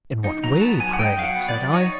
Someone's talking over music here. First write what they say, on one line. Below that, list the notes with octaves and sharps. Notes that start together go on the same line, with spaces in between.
'In what way, pray?' said I.
D#4
F#3 A#5
B3 A5
F#3 G#5
F#5
D#4 G5
F#3 F5
F#5
B3
D5
F#3
D#4 C#5